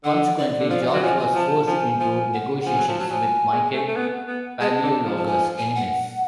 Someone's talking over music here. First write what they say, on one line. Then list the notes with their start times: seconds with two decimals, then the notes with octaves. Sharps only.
Consequently, George was forced into negotiations with Michael Palaiologos' enemies.
0.04 D3 F#5
0.38 D5
0.59 D3
0.70 F3 F5
0.82 G#5
0.86 F#5
0.93 F#3
1.02 F3 G#5
1.18 G#5
1.35 F3 A5
1.67 F3 G#5
2.00 F3 G#5
2.33 F#5
2.65 F3 G#5
2.77 F#3
2.87 F3 A5
2.99 F#3 A5
3.09 F3 G#5
3.53 G#3
3.73 A3
3.88 A3
3.96 B3
4.28 B3
4.61 G#3 A5
4.83 D3
5.04 F3
5.17 A5
5.26 G#5
5.58 G#5
5.75 F#5